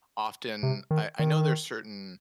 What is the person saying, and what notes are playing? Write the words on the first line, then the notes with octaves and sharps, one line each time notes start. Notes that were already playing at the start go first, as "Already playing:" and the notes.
often, I I know there's certain,
C3
D#3
D#3